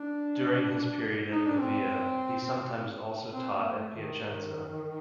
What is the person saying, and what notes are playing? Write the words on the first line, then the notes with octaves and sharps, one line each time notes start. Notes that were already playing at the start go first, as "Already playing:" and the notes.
During his period at Pavia he sometimes also taught at Piacenza.
Already playing: D4
D#4
D4
C4
C4
A#3
A3
D#3
D#3